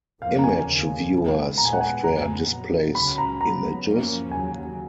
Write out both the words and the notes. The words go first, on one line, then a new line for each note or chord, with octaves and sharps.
Image viewer software displays images.
F2 F3 A#3 C#4 F5
A#5
G#5
D#2 C#3 F3
B2 G#3 B3
A#2 G#3 B3 A#5
G#5
F#5
G#5
F2 C#3 F#3 B3 A#5
A#2 F#3 B3
C#2 C#3 F#3 C#4 B5
A#5
F#2 C#3 F#3 B3 A#5
F#2 F3 A#3 C#4
D#2 C#3 F#3 G#5